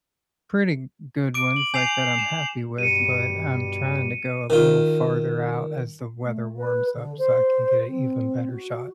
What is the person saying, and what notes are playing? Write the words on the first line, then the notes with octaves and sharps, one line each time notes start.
pretty n good ones, like, that I'm happy with, but I'm trying to go a little farther out as the weather warms up so I can get a even better shot.
D6 D7
F#7
G#5 G6 C7 F7
E7
G2 B2 G3 C#7 D#7
D#3 F4
A3
B4
D3
C5
C4
F#4